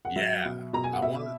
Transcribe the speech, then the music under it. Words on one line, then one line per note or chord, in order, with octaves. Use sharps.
Yeah! I wanna
F#5
F#3 E5
B2
B2 A#5
G#5
F#5
B2 E5